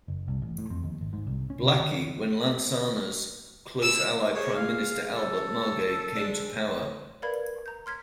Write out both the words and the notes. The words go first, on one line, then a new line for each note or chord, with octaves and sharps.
Blackie when Lansana's close ally Prime Minister Albert Margai came to power.
F#1
C2
A1
A2
F2
D#2
G#1
G#2
C2
C#4
C3
D#3
E6
G#4 C5 C#5
F5
A4
G#3 D4
A2
A#4 B4 D5 F5 B5 G#6
A#5 G6
C6 F6 G#6 B6